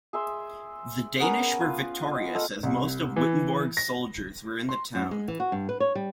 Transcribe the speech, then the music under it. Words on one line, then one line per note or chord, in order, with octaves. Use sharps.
The Danish were victorious as most of Wittenborg's soldiers were in the town.
G#4 E5 C6
B3 C#4 A#4 G#5
F4 B4
D#5
F4 A4 D#5 F5
C2
E3
A#6
C6
F#2
G#3
E3
F#4
G2
B4
C#5
G3